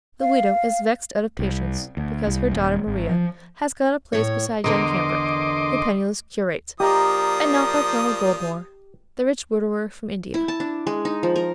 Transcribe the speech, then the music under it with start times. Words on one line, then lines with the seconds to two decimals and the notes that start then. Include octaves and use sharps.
The widow is vexed out of patience, because her daughter Maria has got a place beside young Cambric, the penniless curate, and not by Colonel Goldmore, the rich widower from India.
0.21 F5
1.39 C2
1.97 D2
2.27 C2
2.51 D#1
2.87 G#1
3.09 F3
4.13 A2 C#5
4.64 E2 D3 A#4 D#5 C6 D6
6.80 F3 A#3 G4 A#4 D5 D#5 A#5 D#6
10.34 E4
10.48 A5
10.60 D4
10.87 G#3
11.05 D#4
11.23 F3
11.36 A#4